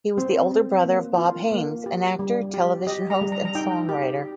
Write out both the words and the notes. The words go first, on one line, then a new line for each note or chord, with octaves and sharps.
He was the older brother of Bob Haymes, an actor, television host, and songwriter.
C4 C5
C4
A#3
F4
A#3
G4
G3
G4
G4 D#5
A#5
G3
A#5
A#5
D#4 G5
G4